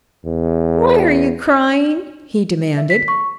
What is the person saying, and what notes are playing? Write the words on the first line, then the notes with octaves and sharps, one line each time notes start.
"Why are you crying?" he demanded.
E2
E5
B6
C#6